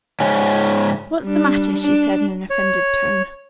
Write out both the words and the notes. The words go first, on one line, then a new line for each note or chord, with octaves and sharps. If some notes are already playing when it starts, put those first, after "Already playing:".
"What's the matter?" she said in an offended tone.
G#2 C#3 C#4
G3 D4
D4
C#5